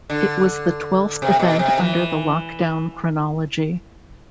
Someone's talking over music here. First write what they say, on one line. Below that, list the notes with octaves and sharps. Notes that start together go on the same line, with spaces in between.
It was the twelfth event under the Lockdown chronology.
D3
C3
B2
C3
E3